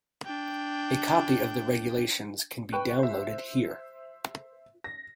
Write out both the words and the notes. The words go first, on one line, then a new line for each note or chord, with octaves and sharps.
A copy of the regulations can be downloaded here.
D4 G5
B4 G5 C#6 F#6
C5 E5
A#6